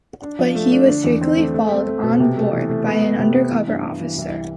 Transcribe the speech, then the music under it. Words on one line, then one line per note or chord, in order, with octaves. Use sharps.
But he was secretly followed on board by an undercover officer.
D4
F3
A3
D4
D3
E2
C4
A3
A3
C4
A3
B2
C3
A3
E3
A3
B3
B3
C3
B3
E3
G2
G2
E3
C2